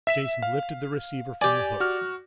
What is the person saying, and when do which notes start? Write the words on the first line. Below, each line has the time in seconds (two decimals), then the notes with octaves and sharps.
Jason lifted the receiver from the hook.
0.07 E5 B6 E7
0.42 F5
1.41 G4 D5 G#5
1.80 F#4 F6